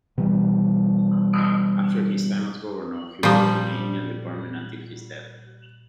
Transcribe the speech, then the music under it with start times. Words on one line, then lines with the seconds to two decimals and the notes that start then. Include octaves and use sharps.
After his time as governor, he worked in the Indian Department until his death.
0.18 B2 E3 G3
3.23 A#2 F3 G3